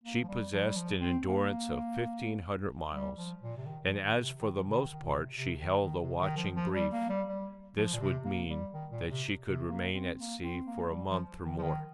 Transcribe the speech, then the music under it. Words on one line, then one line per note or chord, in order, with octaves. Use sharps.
She possessed an endurance of fifteen-hundred miles, and as for the most part she held a watching brief, this would mean that she could remain at sea for a month or more.
A#3
F3
G3
F3
G3
F3
C4
A#3
G3
F3
A#2
C3
D#3
F3
D#3
C3
D#3
F3
C3
D#3
D#3
A#2
C3
C3
D#3
D#3
C3
D#3
F3
F3
G3
A#3
G3
G3
F3
A#2
C3
A#3
G3
D#3
A#2
C3
C3
A#3
C4
A#3
C4
A#3
G3
F3
D#3
F3
D#3